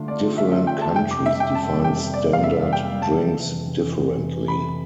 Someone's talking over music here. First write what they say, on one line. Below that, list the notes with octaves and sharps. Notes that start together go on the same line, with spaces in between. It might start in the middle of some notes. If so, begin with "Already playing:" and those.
Different countries define standard drinks differently.
Already playing: D3 A3 D4 F4
D5
E5
E5
G5
A5
F2 C3 G3 G5
D6
E5
G5
A5
G5
D5
F5
E5
G5
A5
F2 C3 E3
B5